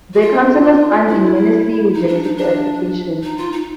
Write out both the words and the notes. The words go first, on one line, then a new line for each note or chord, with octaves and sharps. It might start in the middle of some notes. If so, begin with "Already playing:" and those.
The councillors unanimously rejected the application.
F#4
F4
E4
D#4
D4
D#4
D4
D#4
F4
D#4